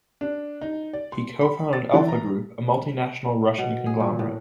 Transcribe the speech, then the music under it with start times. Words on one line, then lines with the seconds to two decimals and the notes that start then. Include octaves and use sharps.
He co-founded Alfa-Group, a multinational Russian conglomerate.
0.21 D4
0.61 D#4
0.93 D5
1.12 C6
1.41 B5
1.73 A6
1.94 E3
2.08 A#5
3.58 B2
3.86 G#4
4.00 A#2
4.19 A2